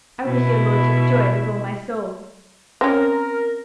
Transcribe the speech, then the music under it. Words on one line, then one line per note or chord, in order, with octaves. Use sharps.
I wish your lordship joy with all my soul.
B2 E4
C4 C#4 A#4